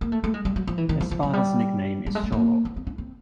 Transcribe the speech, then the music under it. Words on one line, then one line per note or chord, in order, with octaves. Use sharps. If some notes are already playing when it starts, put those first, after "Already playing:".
Espada's nickname is "Cholo".
A#3
A3
A3
G#3
G3
F#3
F3
E3
D#3
F3
F3
F#3
G3
G3
G#3
A3
A#3
B3
C4
C#4
C4